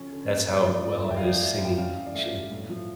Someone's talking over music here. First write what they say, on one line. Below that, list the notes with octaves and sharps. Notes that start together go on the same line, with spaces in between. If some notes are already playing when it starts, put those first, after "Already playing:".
that's how well his singing, sh
Already playing: D3 F3 C#4
D3
A#3
D3
F3 D5
F2
D4 E5
G5
F5
F3
D5
A3 E5
G2
G5
C#4 F5
E3
D5
A3 E5
G2
A2
F3